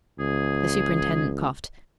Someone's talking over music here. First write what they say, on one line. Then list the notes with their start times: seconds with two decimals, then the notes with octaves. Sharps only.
The superintendent coughed.
0.20 C#2 G#4